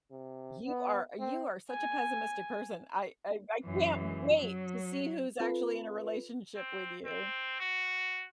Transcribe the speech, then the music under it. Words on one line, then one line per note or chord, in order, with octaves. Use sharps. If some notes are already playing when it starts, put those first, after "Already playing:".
You are you are such a pessimistic person. I I I can't wait to see who's actually in a relationship with you.
C3
B3
C4
G#5
F#2 E3
F#3
C4 F4 A4 B4
C4
C4
F#4